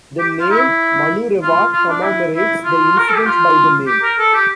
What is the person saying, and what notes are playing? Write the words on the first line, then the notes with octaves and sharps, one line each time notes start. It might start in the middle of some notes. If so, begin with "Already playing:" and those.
The name Manurewa commemorates the incident by the name.
G4
F4
E4
F4
F4
D4
E4
E4
F4
A#4
A4
G4
F4
G4
A#4
A4
G4